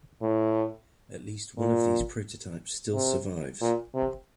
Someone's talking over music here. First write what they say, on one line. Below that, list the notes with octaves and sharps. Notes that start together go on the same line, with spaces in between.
At least one of these prototypes still survives.
A2
A#2
C3
A#2
C3